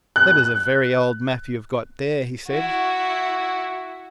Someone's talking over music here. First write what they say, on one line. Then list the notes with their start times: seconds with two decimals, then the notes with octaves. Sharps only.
"That is a very old map you have got there," he said.
0.16 F#6
2.47 E4 F#4